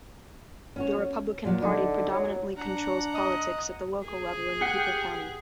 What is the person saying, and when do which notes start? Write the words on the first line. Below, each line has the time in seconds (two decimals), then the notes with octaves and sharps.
The Republican Party predominantly controls politics at the local level in Cooper County.
0.76 C#4 F#4 C#5
0.97 C#4
1.45 A#2 F#3
1.62 D3 D#4
2.11 F#3
2.57 D4 F#5 A#5
3.14 D#5
4.06 G#4
4.61 G4 F#5 G5